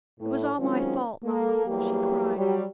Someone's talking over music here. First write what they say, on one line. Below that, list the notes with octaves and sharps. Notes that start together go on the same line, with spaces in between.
"It was all my fault, Mamma!" she cried.
A2
D#3 F#3 G#3 C4 C#4 F4
A#3 A4
E2 F#3 G3 A#3 G4
F#3 G3